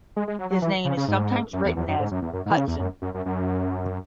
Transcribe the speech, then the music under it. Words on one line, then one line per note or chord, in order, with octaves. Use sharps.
His name is sometimes written as Hudson.
G#3
G#3
F#3
F#3
E3
C#3
C#3
G#2
F#2
E2
E2
F#2
G#2
F#2
E2
F#2
G#2
E3
C#3
E2
F#2
F#2
F#2
F#2